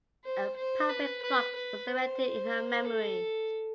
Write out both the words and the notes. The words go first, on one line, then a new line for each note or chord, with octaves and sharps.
A public clock was erected in her memory.
C5
C5
B4
B4
B4
C5
A4